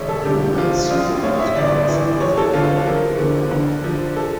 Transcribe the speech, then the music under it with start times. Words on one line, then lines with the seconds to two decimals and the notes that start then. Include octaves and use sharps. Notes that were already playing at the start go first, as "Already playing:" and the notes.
Humans see them as gods, but they claim they are not.
Already playing: E1 D3 C#5 E5
0.09 A4
0.25 D3 G4
0.58 F3 F4
0.90 A#1 F4
1.07 F4
1.23 A2 C#5
1.39 E5
1.56 G1 D5
1.88 E3
2.21 F3 C#5
2.37 A4
2.53 D3 F4
2.86 F3 A#4
3.19 D3
3.51 D3
3.84 F3
4.16 A4